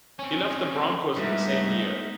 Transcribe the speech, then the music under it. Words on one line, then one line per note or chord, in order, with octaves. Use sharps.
He left the Broncos in the same year.
C4 C#4
G2 G#3 A3 B3 D#4 E5